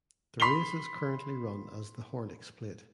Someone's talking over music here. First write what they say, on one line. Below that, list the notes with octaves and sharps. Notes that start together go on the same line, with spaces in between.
The race is currently run as the Horlicks Plate.
B5 C6 B6 C7 F7 G7